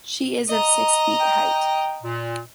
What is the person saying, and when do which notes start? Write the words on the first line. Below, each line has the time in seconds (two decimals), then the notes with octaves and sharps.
She is of six feet height.
0.49 D#5 A#5
1.19 G5
2.02 A#2